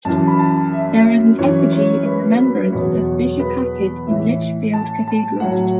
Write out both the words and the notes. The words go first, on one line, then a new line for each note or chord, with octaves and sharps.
There is an effigy in remembrance of Bishop Hacket in Lichfield Cathedral.
F#2 E3 A5
B5
A5
E5
F#2 E3 C#5
C#5
B4
B4
B4
E2 B2 F#3 C#5
B4
A2 E3 E5
A5
A5
A2 F#3 F#5